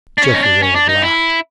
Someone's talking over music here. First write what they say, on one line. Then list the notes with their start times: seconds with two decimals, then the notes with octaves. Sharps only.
Geoffrey Ward laughed.
0.18 D4
0.22 C#4
0.34 D#4
0.43 D4
0.62 C#4
0.76 D4
0.89 D#4
1.02 E4